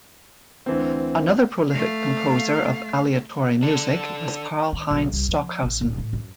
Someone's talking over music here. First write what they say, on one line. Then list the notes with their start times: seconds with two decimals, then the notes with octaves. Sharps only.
Another prolific composer of aleatory music was Karlheinz Stockhausen.
0.66 D2 E3 C4
1.71 A3 F5
3.63 D4 A4
4.73 D#3
4.91 B1
5.13 C2
5.29 F3
5.63 A1
5.81 D1
5.98 A2
6.13 F#2